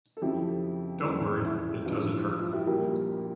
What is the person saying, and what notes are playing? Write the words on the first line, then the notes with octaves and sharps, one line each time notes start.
Don't worry, it doesn't hurt.
A4
F2 C#3 F3 E4 G4
F1 E2 C#3
E4
A1 G2 F3
F4
F4
E4 G4
A#1 A#2 G3 A#3 G4 A#4